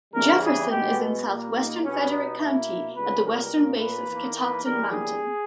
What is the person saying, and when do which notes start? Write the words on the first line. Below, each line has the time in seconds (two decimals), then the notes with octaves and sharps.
Jefferson is in southwestern Frederick County at the western base of Catoctin Mountain.
0.13 E2 C#3 E3 G3 A#4
0.41 G#4
0.69 B2 G#3 B3 G4
1.26 A#2 G3 A#3
1.54 D#4
1.81 B2 G3 B3 C#4
2.10 D#4
2.38 B2 A#3 E4
2.94 C#2 C#3 G3 B3 B4
3.22 A#4
3.51 A#2 A#3
3.79 B4
4.06 E2 D#3 A#3
4.35 B4
4.63 E2 C#3 G3 A#3 A#4
4.91 G#4